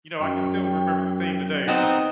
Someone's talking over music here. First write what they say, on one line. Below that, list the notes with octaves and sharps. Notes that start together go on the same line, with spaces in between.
you know, I can still remember the theme today.
F#2 G5
B3 C4 D#4 A#5